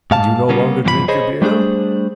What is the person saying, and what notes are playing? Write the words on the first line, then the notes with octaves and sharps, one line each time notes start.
"And you no longer drink your beer?"
G#2 F5 A5
C#3 G3 A#3 B3
G2 B2 E3 F3 A#4 B5
G#4 C5 C#5 D#5 B5
G3 A3 D4 G#4 C5